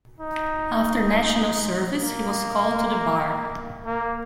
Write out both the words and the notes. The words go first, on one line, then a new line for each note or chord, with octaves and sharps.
After National Service he was called to the Bar.
D#4
A#3
A#3